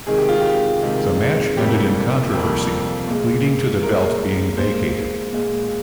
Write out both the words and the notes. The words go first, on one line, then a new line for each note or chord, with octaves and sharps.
The match ended in controversy, leading to the belt being vacated.
C3 D#3 G#3 G#4
G4
F4
G4
C3 D#3 G#3
F2 C3 G3 A#3 G4
F2 C3 G3 A#3
A#2 G#3
A#2 G#3 A#4
A#2 G#3 C5
A#2 G#3